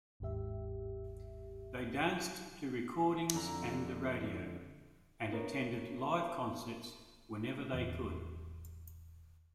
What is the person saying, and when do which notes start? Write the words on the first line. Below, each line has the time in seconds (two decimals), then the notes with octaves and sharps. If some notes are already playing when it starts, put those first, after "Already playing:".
They danced to recordings and the radio, and attended live concerts whenever they could.
0.20 G1 D#2 G#2 G4 E5
3.34 F2 D3 A#5
5.32 B3 D4 A#4 B4 C#5
7.73 E1 E2 A2 D#3